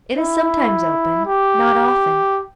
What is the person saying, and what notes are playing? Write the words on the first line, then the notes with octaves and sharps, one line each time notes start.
It is sometimes open--not often.
E4
G4